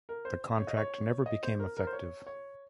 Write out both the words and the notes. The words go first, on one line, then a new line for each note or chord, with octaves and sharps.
The contract never became effective.
A#4
C5
C#5
D#5
C#5
D#5
C5
A#4
A#4
C5
C#5
C#5